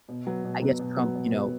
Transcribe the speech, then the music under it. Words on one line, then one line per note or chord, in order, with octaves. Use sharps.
I guess Trump, you know,
B2
F#3 B3
B2
F#3 B3
B2
F#3 B3
B2
F#3 B3